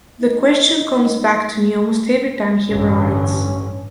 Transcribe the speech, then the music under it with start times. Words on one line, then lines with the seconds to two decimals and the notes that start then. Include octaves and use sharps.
The question comes back to me almost every time he writes.
0.21 D#4
2.68 A1 G2 D3 C#4